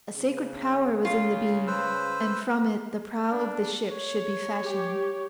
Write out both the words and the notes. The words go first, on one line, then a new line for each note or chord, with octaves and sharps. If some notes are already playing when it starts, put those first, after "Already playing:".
A sacred power was in the beam, and from it the prow of the ship should be fashioned.
C#3
F4
B4 C5 E6
D4
C#5
G4